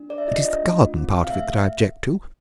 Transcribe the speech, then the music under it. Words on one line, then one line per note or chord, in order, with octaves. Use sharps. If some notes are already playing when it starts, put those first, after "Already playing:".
It is the garden part of it that I object to.
Already playing: D4
G#4 D5
E5
F4 D#5
D4 D#5
A3
F4
C4
G#4
F5
A3 E5